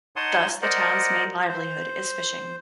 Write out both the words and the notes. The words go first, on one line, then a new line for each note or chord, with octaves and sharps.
Thus, the town's main livelihood is fishing.
D#4 C#5 F#5 A5 C6 D#6
A#4 C5 D5 D#5 F#5
C5